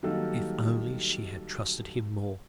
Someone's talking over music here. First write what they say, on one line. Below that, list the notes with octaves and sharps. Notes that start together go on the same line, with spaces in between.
If only she had trusted him more!
D#3 F#3 G3 A#3 A4